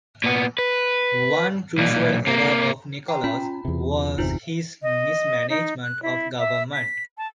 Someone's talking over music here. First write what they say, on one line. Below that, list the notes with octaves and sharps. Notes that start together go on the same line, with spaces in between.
One crucial error of Nicholas was his mismanagement of government.
A#2 B3
B4
B1 A#2
C3 A#3
G5 A#5 C6
C#4 F4 B5
E2 C3
G1 E2 C3 D#4 F4 C5
D#5
D#4
F#6
E4
E5
B6
A5